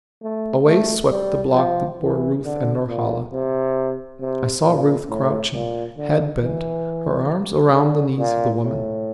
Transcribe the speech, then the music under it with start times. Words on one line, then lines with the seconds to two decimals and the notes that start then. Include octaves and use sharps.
Away swept the block that bore Ruth and Norhala; I saw Ruth crouching, head bent, her arms around the knees of the woman.
0.22 A3
0.66 A3
1.11 G3
1.54 F3
2.00 E3
2.44 D3
2.88 A#2
3.32 C3
4.20 C3
4.64 A#2
5.09 A2
5.53 A#2
5.97 D3
6.41 E3
7.74 D3
8.18 A#2
8.63 A2